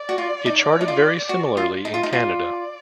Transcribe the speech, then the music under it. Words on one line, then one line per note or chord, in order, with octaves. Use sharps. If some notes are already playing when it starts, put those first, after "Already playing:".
It charted very similarly in Canada.
Already playing: D5
F#4
F4
D#4
D#4
F4
F#4
F4
D#4
F4
D#4
F4 D5